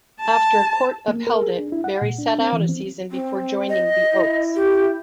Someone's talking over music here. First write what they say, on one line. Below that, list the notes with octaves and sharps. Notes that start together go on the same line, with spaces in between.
After a court upheld it, Barry sat out a season before joining the Oaks.
A5
A#3
A#4
G#4
D4
E4
F#5
A#2
D4
C4
E3
C4
C4
D#5
E4
G4